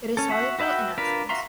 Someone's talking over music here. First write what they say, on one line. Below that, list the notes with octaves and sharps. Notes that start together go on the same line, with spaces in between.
It is soluble in acids.
C#4 A4
F#4 E5 F#5
F#4 B4 E5 F#5 G5
D4 F4 A#4 B4
F#4 E5 F5 A#5 C6